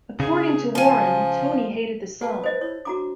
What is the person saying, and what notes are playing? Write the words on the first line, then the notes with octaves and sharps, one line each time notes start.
According to Warren, Toni hated the song.
C#3 G#4
F3 G#5 A5
G4 B4 A5
C5 D#5
E4 C#5
D4 F#4 A#5 D6